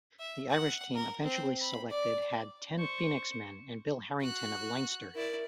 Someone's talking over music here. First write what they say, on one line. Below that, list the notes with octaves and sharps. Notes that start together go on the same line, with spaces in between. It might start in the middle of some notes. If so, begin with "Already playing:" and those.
The Irish team eventually selected had ten Phoenix men and Bill Harrington of Leinster.
E5
F#5
A#4
C4
B5
D5
C5 C#6
F#4 F#6
E4 A#4 D5